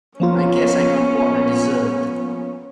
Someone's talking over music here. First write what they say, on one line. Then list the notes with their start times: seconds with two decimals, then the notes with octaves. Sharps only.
I guess I got what I deserved.
0.20 F3 A#3 B3 C#4 F4